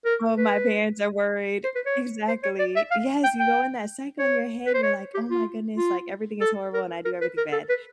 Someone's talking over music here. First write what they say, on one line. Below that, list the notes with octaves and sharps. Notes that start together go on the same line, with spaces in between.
"Oh, my parents are worried" Exactly, yes, you go in that cycle in your head, you're like, "Oh my goodness, like, everything is horrible, and I do everything bad,"
A#4
B4
C5
B4
C#5
C5
C#5
D5
E5
F5
G5
G5
C#5
B4
C5
C#5
G4
F4
F4
A4
A#4
A#4
B4
A#4
A4
B4